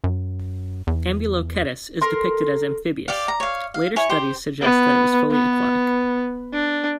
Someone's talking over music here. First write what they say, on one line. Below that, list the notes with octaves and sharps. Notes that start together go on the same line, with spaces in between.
Ambulocetus is depicted as amphibious; later studies suggest that it was fully aquatic.
F#2
E2
A4 A#4 C6
G4 D5 F5
A#5
C#5 F5
F5
E4 C#5 G#5 C#6
G4 C5 C6
B3
B3
D4